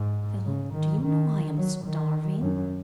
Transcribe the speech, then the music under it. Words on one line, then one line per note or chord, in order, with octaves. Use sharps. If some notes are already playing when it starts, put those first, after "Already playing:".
Philip, do you know I am starving?
Already playing: G#2
C#3
D#3
D#3
F#3
D#3
F#2